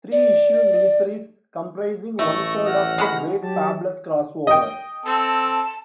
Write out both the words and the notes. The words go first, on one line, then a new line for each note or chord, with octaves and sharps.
Three issue miniseries comprising one third of "The Great Fables Crossover".
D5
A1 A3 C#6 A#6
F#5 F6 A#6
G#3 F#4 B5
F#3 G4 A5
D#5 G5
C4 A4 A5